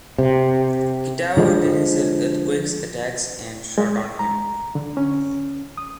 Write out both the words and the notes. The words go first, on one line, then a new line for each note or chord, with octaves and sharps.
Kitao didn't sell Earthquake's attacks and shot on him.
C3
D3 F3 G#3
G#3
A#5
D3
C#4
D#6